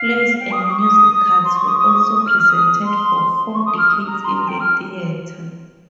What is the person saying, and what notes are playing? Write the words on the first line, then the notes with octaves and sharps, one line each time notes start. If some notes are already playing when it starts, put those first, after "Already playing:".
Plays and musicals were also presented for four decades in the theatre.
Already playing: F5
G5
D#6
D#6
C#6
D#6
C6
C#6
D#6
D#6
C#6
D#6
D#6
F6
F6
D#6
C6
C6
C#6
D#6
F6
D#6
A#5
C6
A#5
G5
F6